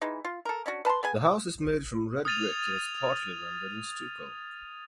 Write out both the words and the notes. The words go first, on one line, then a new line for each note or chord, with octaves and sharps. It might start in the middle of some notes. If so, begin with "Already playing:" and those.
The house is made from red brick and is partly rendered in stucco.
E3 G#3 D#4
F4
A4 A#4
C#4 D4 F#4
B4 A5 A#5 C6
B3 G#4 G#5
D#6 F6 G#6 A6 D#7 F7